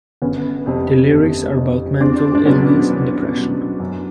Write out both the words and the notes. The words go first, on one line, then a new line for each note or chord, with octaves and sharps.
The lyrics are about mental illness and depression.
G1 B3 C#4
F2 C3
G1
F2 C3
E2 C4 D4
D4
B2 F#3 B3 C#4
E2
B2 F#3
F#2